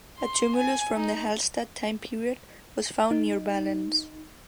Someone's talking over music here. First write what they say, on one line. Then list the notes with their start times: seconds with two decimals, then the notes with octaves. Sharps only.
A tumulus from the Hallstatt time period was found near Ballens.
0.18 C6
0.56 G#5
0.96 D#4
3.11 D#4